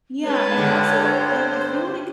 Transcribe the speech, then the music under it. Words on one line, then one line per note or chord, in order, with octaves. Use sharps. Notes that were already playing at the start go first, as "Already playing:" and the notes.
Yeah, and also I I feel like,
G#3 B4 C#5 A5
G2 D3
C5